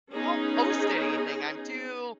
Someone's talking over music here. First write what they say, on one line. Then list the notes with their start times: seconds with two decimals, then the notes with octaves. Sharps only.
I don't post anything, I'm too
0.11 B3 C#4 D#4 G#4